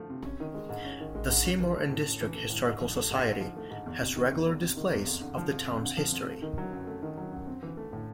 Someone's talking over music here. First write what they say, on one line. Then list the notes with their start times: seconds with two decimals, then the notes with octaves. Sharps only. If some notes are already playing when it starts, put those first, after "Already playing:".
The Seymour and District Historical Society, has regular displays of the Towns history.
Already playing: F3 A3
0.10 C3
0.25 C#4
0.40 D#3
0.54 G#3
0.69 G#2
0.85 C#4
1.00 D#3
1.15 G#3
1.30 G#2
1.45 C#4
1.60 E3
1.75 A3
1.90 A2
2.06 C#4
2.21 E3
2.36 A3
2.50 A2
2.66 G#2
2.80 F3
2.95 A3
3.11 G#2
3.26 G#2
3.40 F3
3.56 A3
3.71 G#2
3.86 E2
4.01 C3
4.16 D#3
4.31 E2
4.46 E2
4.62 C3
4.77 D#3
4.92 E2
5.06 F2
5.21 D3
5.37 F3
5.52 F2
5.67 F2
5.82 D3
5.97 F3
6.12 F2
6.27 A3
6.42 D#3
6.58 F#3
6.73 F#2
6.87 A3
7.03 D#3
7.17 F#3
7.32 F#2
7.47 C4
7.63 E3
7.77 A3
7.93 A2